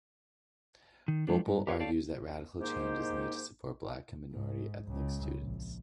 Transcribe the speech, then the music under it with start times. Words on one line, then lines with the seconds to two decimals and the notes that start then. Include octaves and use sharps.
Bhopal argues that radical change is needed to support black and minority ethnic students.
1.08 D#3
1.27 F3 F#3 G#3 B3 D4
1.47 G2
1.67 G4 A#4 B4 C#5 D5 F5
1.80 A4 C#5 D5 F5 G5 A5
2.61 G#2 D#3 A#3 D#4 G4 C5
4.32 G#2
4.87 C#2
5.40 A#1